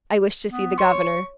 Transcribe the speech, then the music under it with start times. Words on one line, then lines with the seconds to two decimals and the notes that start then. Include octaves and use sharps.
"I wish to see the governor."
0.49 B3
0.78 C#5 C6 C#6